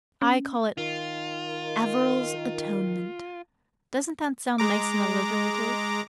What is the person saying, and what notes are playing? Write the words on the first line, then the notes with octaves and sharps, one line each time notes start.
I call it AVERIL'S ATONEMENT. Doesn't that sound nice and alliterative?
C#4
D#3 F4
G#3 A#5 D6